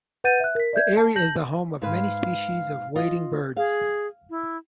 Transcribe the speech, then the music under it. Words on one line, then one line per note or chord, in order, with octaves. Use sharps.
The area is the home of many species of wading birds.
B4 F#5 G6 A6 D#7
E5 F#6
A#4 B6
D5 E5 G6 G#6
A5
A5 G6 A#6 F#7
G#2 B4 F5
F4 D#5
G#4 F5
E4